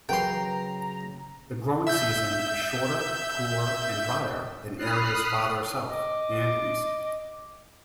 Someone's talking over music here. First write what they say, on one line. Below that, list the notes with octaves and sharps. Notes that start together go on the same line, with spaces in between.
The growing season is shorter, cooler, and drier than areas farther south and east.
C#3 F#3 A#4 B4 G5 G#5 A#5 C6
E5 E6 G6
B5 D#6 F6 F#6 C7
D#5 D6